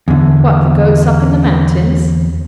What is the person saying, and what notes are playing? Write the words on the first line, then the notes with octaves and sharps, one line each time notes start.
"What, the goats up in the mountains?"
E2 D3